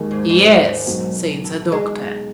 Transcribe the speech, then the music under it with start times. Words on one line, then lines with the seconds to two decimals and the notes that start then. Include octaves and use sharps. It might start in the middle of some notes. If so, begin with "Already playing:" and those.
"Yes," said the doctor.
Already playing: D#2 D#3 G#3
0.11 G#2
0.29 G#2
0.86 B1 B2 F#3
1.44 A2
1.72 G#3